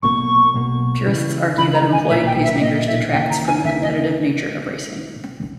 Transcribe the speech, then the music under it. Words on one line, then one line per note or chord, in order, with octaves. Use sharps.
Purists argue that employing pacemakers detracts from the competitive nature of racing.
B1 B2 A#3 C#6
B1 B2 A#3
C#2 C#3 E3
C#2 C#3 E3 B5
A#5
G#5
B1 A#2 A#3 E5
G5
E5
B1 A#2 A#3 D#5
E5
D#2 C#3 E3 A#3 G5
A#5
G#5
D#2 C#3 E3 A#3 E5
D#5